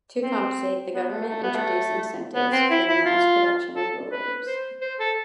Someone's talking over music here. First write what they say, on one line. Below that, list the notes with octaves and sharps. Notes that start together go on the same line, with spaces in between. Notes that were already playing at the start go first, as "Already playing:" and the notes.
To compensate, the government introduced incentives for the mass-production of rulers.
C4
B3
A3
A3
B3
A3
B3
C4
E4
E4
F4
A4
B4
C5
C5
A4